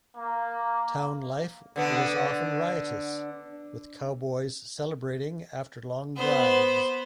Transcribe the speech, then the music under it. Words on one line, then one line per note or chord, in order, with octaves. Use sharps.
Town life was often riotous with cowboys celebrating after long drives.
A#3
D3 B3 D4
B3 C5